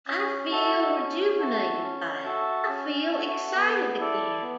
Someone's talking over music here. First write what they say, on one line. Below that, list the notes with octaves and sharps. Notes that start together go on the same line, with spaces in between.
I feel rejuvenated by it, I feel excited again.
C#4
F#4 A4 E5 A5
C#4
F#4 A4 E5 A5
C#4
F#4 A4 E5 A5
C#4
F#4 A4 E5 A5
B3
E4 A4 D5
B3